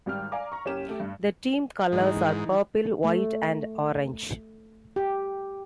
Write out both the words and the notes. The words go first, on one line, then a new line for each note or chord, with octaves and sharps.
The team colours are purple, white and orange.
G#1 G3 G5 F6
D5 F5 G#5 A#5 D6
A#5 C#6
F#1 C#4 G4 E7
A3 G4
G2
G#2 E3 D#4
A3
G4